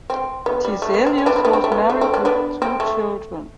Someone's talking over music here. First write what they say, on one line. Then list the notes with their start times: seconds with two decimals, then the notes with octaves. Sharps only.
Tiselius was married, with two children.
0.10 C4
0.46 B3
0.65 G3
0.82 A3
0.94 B3
1.06 C4
1.18 C4
1.26 B3 D4
1.36 C4
1.45 B3 D4
1.53 C4
1.64 A3
1.72 B3
1.90 A3
2.01 C4
2.14 B3 D4
2.25 B3 D4
2.62 C4
2.80 A3